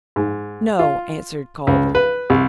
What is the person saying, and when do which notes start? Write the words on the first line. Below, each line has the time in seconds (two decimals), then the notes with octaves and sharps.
"No," answered Calder.
0.16 G#2
0.79 F4
1.67 C#2
1.95 B4
2.30 C2